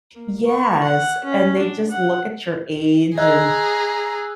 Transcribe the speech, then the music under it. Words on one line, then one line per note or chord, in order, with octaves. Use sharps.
Yes, and they just look at your age and
A#3
C#6
F#5
C#4
D4
F#5
G#4 D#5 A#5 E6 F#6 G#6